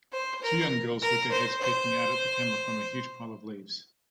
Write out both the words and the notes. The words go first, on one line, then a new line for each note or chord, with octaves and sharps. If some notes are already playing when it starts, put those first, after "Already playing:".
Two young girls with their heads peeking out at the camera from a huge pile of leaves.
C5
A#4
A#4
C5
C5